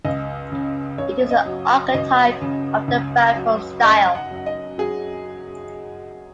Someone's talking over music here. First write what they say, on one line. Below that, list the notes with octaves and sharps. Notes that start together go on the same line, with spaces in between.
It is the archetype of the Baphuon style.
C#2 D#5
C#3
C#2 C#5
D#5
F#3
C#2 D#5
C#3
C#2
F#3
F#2 D#5
F#5
F#3 F#5
D#5
F#3 G#4